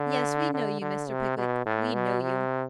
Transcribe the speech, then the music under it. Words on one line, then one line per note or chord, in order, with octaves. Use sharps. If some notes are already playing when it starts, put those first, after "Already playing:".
Yes; we know you, Mr. Pickwick; we know you.'
Already playing: D3
D3
D3
C3
B2
A2
B2
C3